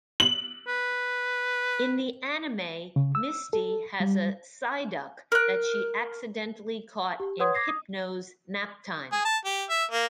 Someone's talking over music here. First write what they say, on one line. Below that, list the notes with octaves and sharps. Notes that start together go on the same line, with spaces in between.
In the anime, Misty has a Psyduck that she accidentally caught in "Hypno's Naptime".
F#7
B4
C#3
E6
A4
G3
A#4 F#6
G4
B4 C#5 F#5 C6 D#6 G#6
D6 G#6 A#6 C7
D#6
G#4
A5
G4
E5
A#3